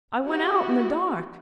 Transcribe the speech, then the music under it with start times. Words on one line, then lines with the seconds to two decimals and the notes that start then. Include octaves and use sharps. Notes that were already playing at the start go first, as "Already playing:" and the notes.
'I went out in the dark.'
0.24 E4 F#4 G4